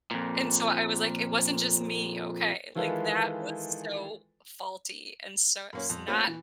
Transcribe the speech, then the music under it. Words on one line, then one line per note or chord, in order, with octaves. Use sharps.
And so I was like, "It wasn't just me, okay," like, that was so faulty, and so it's not
F2 A#2
D#3 E3 G#3 F4 A4 B4
F#2 A#3 C#4
F2
A3 A#3 C4 C#4 F#4 A4
E3